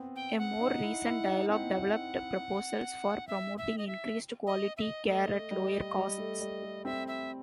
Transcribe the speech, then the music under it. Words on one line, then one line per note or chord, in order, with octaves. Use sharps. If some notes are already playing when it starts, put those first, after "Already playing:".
A more recent dialogue developed proposals for promoting increased quality care at lower costs.
Already playing: B3 C4
G5
F#5
D#4
E4
E4
D#4
C4 F#5
E5
E5
D#5
E5
D#5
E5
D#5
A3 D#5 E5
G3
G3
A3
G3
A3
C4 E5
E5